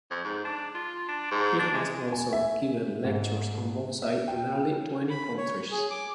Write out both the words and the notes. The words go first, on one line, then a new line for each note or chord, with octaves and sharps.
He has also given lectures on bonsai in nearly twenty countries.
F2
G#2
D4
F4
D4
G#2
D4
G#3
G#5
E5
G#2
E5
G5
B5
C#5
G#4
D6